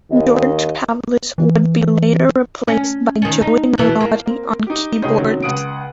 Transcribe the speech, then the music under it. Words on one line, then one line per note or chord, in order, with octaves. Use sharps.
George Pavlis would be later replaced by Joey Melotti on keyboards.
D#2 D#3 D#5
E3
C#4
D#3 C#4
D#4
B2 E3
A#3
A#3 C4
D#4 G4
C#2 D#4 G#4 C#5 D#5 G6
C3 D#3 F#3 C#4
C#2 F#5 D#6 D7